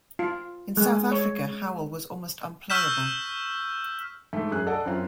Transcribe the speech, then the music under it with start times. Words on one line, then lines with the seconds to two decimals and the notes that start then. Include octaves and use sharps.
In South Africa Howell was almost unplayable.
0.19 F4
0.77 G#3
1.12 C#5
2.70 C#6 E6 F6 G6 B6 E7
4.33 G#2 A3
4.51 F#2 G#4 F#6
4.66 A4 D5 D#5 F#5 A5
4.85 F#2 C4 E4 F4